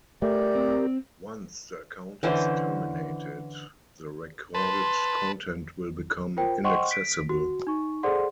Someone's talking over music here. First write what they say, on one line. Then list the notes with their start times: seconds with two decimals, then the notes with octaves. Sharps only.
Once the account is terminated, the recorded content will become inaccessible.
0.22 A3 G4 A#4 D5
0.55 C4
2.23 D3 E3 C#4 C5
4.55 B4 A5 C6
6.37 F4 A#4 C5 G5
6.64 C5 D#5 F#5 G5 C6 C#6
6.91 B6 D7
7.29 F#4
7.67 D#4 C#6
8.03 G#4 A4 C5 D5 F#5 C6